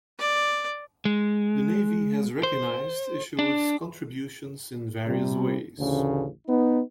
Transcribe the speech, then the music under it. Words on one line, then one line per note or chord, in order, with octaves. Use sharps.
The Navy has recognized Isherwood's contributions in various ways.
D5
G#3
C5
D4
C3 G3
A1 D2 C#3
B3 D#4